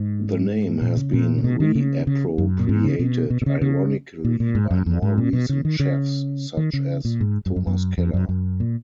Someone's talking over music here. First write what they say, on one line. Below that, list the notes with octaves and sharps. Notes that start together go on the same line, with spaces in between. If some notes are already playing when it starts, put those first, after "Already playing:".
The name has been reappropriated ironically by more recent chefs such as Thomas Keller.
Already playing: G#2
A#2
C#3
A#2
C#3
B2
D#3
C#3
C#3
F#2
A#2
G#2
C#3
B2
B2
B2
C#3
C#3
A#2
A#2
G#2
F#2
F2
G#2
A#2
B2
C#3
D#3
C#3
D#3
C#3
A#2
G#2
F#2
F#2
F#2
F2
F#2
F#2
A#2